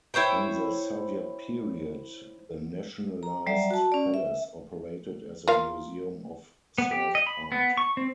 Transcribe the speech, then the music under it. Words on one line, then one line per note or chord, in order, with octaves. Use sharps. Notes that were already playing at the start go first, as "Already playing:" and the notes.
In the Soviet period the nationalized palace operated as a museum of serf art.
E4 C5 C#5 G5
A#5
F#3 G3 D5 E5 A#5
F#4 A5
C#4 D5
E5
F4 A#4 F5
B3
G4
D#5
B5
B3
C#6
C4